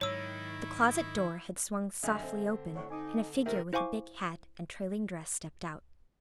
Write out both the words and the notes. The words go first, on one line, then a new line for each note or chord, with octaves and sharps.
The closet door had swung softly open, and a figure with a big hat and trailing dress stepped out.
G#2 D#3 F#3 E4 C#5 E6
F1 F#2 D3 D#5 E5 G#5
D3 C4
A2 D4 C#5 F#5 C#6
D#4 G#5 D6 D#6
C3 D#3 A3 A#4 E5
E4 C5 F5 G#5 C#6 D6